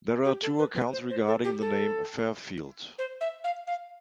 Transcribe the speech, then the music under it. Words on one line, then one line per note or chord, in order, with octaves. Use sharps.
There are two accounts regarding the name "Fairfield".
G4
A4
B4
B4
C5
C5
A4
G4
A4
C5
E5
F5
F5